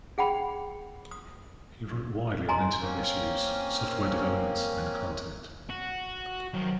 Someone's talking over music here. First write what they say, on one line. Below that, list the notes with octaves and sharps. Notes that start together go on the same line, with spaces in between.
He wrote widely on internet issues, software developments and content.
G#4 F#5 G5 B5
D#6
D#5 G#5 A#5 C6
A#3 C4 C#4
F#4
D#3 F3 F#3